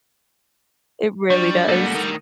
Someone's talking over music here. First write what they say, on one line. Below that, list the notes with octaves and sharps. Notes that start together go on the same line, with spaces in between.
It really does.
F#3 G3 D4 C#6 A6
C#2 A#2 A4 F#5
D2 D#3